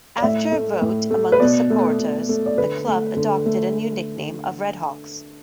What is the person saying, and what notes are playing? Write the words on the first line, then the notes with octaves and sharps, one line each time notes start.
After a vote among the supporters the club adopted a new nickname of RedHawks.
D5
A2 E5
A3
A2
A3
B4
B2 D5
A3
B2
A3
D5
D3 B4
A3
D3
A3